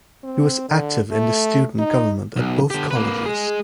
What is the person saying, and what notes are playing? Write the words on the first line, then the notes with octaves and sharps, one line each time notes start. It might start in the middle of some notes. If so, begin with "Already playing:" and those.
He was active in the student government at both colleges.
C4
D3
A3
D#4
B1
D3 G4
A#3 B4
G#3 G#4